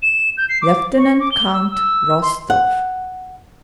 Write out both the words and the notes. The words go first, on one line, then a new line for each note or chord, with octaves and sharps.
"Lieutenant Count Rostov."
E7
G6
C7
D6
C#6
D6
G7
E6
E6
C6
F#5